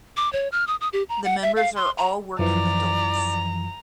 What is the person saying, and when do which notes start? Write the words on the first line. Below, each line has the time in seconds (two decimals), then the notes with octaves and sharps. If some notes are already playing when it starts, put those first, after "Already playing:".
The members are all working adults.
0.17 D6
0.33 C#5
0.52 F6
0.67 D#6
0.81 D#6
0.93 G4
1.09 A#5
1.25 F#5
1.42 E5
1.57 F5
1.76 C6
1.98 A#5
2.39 F#2 E3 F3 D5 A#5